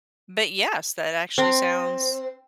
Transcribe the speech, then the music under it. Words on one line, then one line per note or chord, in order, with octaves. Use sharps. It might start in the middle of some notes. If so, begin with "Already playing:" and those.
But, yes, that actually sounds
C4